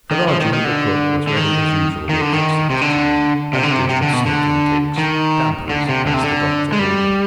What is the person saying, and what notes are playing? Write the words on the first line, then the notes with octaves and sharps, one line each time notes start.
Ferajji, the cook, was ready as usual with excellent tea, and a dish of smoking cakes; "dampers," as the Doctor called them.
D#3
F3
D#3
D#3
D3
D3
D#3
D#3
D3
D#3
C3
D3
C3
D3
C3
C3
D3
B2
D3
D#3
D3
C3
D3
C3
D3
G#3
G3